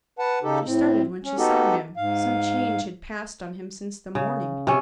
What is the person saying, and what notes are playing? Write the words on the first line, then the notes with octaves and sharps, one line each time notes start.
She started when she saw him: some change had passed on him since the morning!
B4 F#5 A5
C#3 D#4 G4 A4
A2 C4
C#4
B3 D#4 F#4 G4 A4
G#2 F5
C#3
C3 C#4